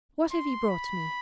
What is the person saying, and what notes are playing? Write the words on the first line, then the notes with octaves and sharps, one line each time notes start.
What have you brought me?'
C6
B5